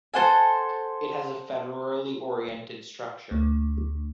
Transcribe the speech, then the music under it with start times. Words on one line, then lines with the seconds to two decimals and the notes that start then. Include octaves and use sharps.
It has a federally orientated structure.
0.14 A4 C5 F#5 G#5
3.31 D2